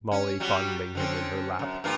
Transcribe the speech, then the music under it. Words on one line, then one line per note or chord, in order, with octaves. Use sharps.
Molly fondling him in her lap.
C#4
F#3 G3 F#4
D3 C4 C#4
F#2
G2 F3 A#3